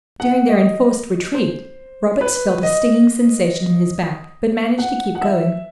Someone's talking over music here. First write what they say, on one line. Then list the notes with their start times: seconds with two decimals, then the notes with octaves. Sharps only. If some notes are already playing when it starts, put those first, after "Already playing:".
During their enforced retreat, Roberts felt a stinging sensation in his back, but managed to keep going.
0.20 F#5
0.49 D#5
1.34 C5
2.21 B4
2.63 D#5
4.78 F#5
5.15 F#5
5.21 E5